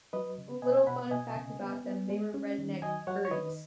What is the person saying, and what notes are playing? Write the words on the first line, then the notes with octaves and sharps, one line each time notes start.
A little fun fact about them, they were redneck furries,
F#3 B4 D#5
C#3
B2 D#5 G#5
G#5
B2 F#5 B5
B2 D#5 G#5
C#3
B3
B3
G#3
C#4
D#3
F#3 D#5 G#5
F#3 C#5 F#5
C#5
D#3 B4 D#5